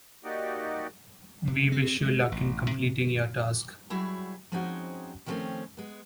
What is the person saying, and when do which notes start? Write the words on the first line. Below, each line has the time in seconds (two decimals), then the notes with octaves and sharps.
We wish you luck in completing your task.
0.24 A#3 D#4 F#4 G4 D5 D#5
1.47 C3
1.72 C4
2.01 G#3
2.32 A1
2.71 C3
3.90 F#3 G3 E4 F#4 G#4
4.52 F3 G#3 C4 C#4 D#4 F#4
5.26 D#3 F3 G3 A3 C4 C#4
5.77 G#3 B3